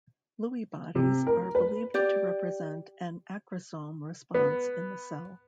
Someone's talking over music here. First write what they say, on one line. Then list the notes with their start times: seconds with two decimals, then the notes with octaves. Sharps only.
Lewy bodies are believed to represent an aggresome response in the cell.
0.95 C3
1.27 A#4
1.55 B4
1.94 G4 D5
4.34 B3